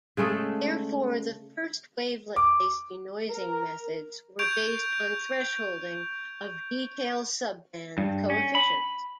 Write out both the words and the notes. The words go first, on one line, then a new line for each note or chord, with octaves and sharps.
Therefore, the first wavelet-based denoising methods were based on thresholding of detail subbands coefficients.
C#3 G#3 A3 A4
D6
A#4
C#6 G6 G#6 D7 F7
G2
C#4
B5